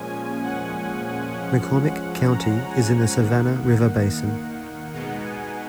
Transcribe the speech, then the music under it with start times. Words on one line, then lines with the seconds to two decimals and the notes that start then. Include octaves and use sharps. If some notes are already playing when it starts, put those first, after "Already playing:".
McCormick County is in the Savannah River basin.
Already playing: A#2 F3 G#3 C#4 G#5
0.43 F#5
1.33 F3 G#3 C#4
2.24 A#5
2.69 G#5
3.14 D#3 A#3 D#4 F#5
4.93 B2 G#3 B3 D#4 F#5
5.23 G#5